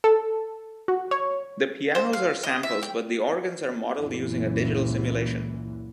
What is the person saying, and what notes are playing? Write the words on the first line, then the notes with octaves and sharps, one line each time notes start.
The pianos are samples but the organs are modeled using a "digital simulation".
A4
F#4
C#5
C5
F5
D#5
E5
G5
C#2 F#2 A#2 E3